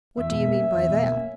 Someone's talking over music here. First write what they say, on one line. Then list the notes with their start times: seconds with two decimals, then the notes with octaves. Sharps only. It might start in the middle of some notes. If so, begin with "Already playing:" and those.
"What do you mean by that?"
0.17 E2 E5
0.31 B2
0.45 A#3
0.60 C#4
0.74 E2
0.88 B2
1.03 A#3
1.16 C#4